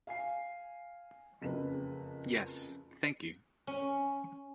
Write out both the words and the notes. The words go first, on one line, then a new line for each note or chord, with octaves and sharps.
Yes, thank you.
F5 G#5 C7
F#1 F2 C#3 B4
C#4